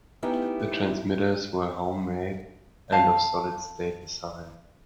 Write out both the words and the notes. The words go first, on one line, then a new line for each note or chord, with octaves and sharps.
The transmitters were home-made and of solid state design.
A3 B3 C#4 D#4 E4 G4
F5 A5